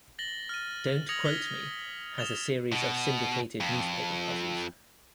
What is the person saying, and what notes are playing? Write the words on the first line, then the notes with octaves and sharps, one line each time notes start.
Don't Quote Me has a series of syndicated newspaper puzzles.
A6 A#6 F#7 G7
F6 A6 D#7
D#6 G#6 A#6 C#7 F7 F#7
F6 A6 B6 G7
D#6 A6 E7 F7 G7
B2
F2